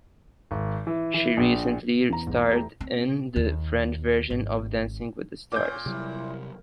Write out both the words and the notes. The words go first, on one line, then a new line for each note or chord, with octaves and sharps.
She recently starred in the French version of "Dancing with the Stars".
G#1
E3
E3
A#1
E2 A#5
B1 G#2
A3 G4
C4
D#2
G#1
A#2 C4 C#4 D6 G6
C3 F#3 G3 E4